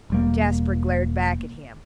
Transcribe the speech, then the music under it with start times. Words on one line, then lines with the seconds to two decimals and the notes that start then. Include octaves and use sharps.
Jasper glared back at him.
0.10 E1 G3 A#3